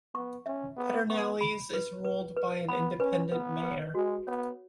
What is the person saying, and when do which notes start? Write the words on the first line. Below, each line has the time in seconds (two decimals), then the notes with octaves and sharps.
Pedernales is ruled by an independent mayor.
0.15 B3 C#6
0.46 C#4 E5
0.77 B3 G#4
1.09 B3 C#6
1.41 B5
1.74 B4
2.05 B4
2.37 B4
2.68 B3 B5
3.00 C#4 B4
3.32 B3 B4
3.64 B4
3.95 G#3 F#4
4.27 B3 C#5